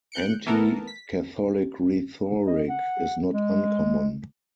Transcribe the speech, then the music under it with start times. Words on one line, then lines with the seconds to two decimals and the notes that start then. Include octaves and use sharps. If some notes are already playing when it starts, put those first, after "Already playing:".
Anti-Catholic rhetoric is not uncommon.
0.12 F#6 G6 C#7 D7
0.46 E3 B3 A4 A#4
0.87 B6
2.47 D#5
2.69 F#5
3.30 G#3